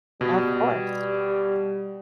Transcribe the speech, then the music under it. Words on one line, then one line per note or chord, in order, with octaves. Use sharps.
Of course.
B2 G3